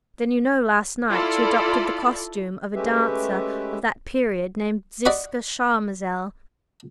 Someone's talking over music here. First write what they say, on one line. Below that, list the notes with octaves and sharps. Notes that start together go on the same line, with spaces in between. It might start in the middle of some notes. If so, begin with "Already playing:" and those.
Then you know last night she adopted the costume of a dancer of that period, named Ziska-Charmazel.
E4 F4 A4 D5
G#3 A3 C#4 G4 B4 E5
D5 D#5 F#5 B5 C#6 D6